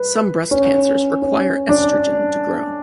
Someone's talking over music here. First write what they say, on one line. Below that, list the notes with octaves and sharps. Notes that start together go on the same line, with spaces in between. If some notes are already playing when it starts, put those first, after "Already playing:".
Some breast cancers require estrogen to grow.
Already playing: B4
C#4
C#4
D4